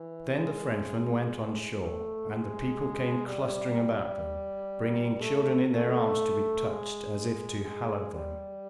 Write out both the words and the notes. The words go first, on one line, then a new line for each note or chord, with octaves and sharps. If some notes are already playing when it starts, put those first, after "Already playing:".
Then the Frenchmen went on shore, and the people came clustering about them, bringing children in their arms to be touched, as if to hallow them.
Already playing: E3
G#3
A3
G#3
G3
A3
A3
G#3
G#3
G3